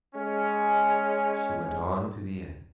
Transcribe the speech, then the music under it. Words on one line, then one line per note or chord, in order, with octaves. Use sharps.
She went on to the end.
G#3 C#4